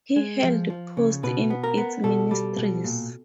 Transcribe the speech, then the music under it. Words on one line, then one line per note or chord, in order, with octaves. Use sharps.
He held posts in its ministries.
G#3
F3
F3
C#3
B2 B4
B3
A#4
B3
B2 A4
G3
B2
A#2